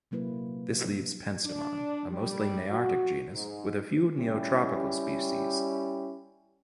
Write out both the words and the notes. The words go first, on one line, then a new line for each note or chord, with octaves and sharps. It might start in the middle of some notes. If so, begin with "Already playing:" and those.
This leaves "Penstemon" a mostly nearctic genus, with a few neotropical species.
C3 F#3 A#3 E4 B4
D4
G3
F#4
G#2
G3 C#4 E4 G4